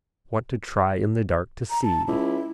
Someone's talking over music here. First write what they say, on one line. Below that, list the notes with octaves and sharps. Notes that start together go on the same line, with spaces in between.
Want to try in the dark to see.
A#5
A5
C#2 E4